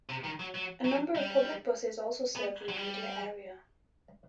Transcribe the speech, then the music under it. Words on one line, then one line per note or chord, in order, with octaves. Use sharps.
A number of public buses also serve the immediate area.
C3
D#3
F#3
F#3
F#3
G3
B3
F#3
G3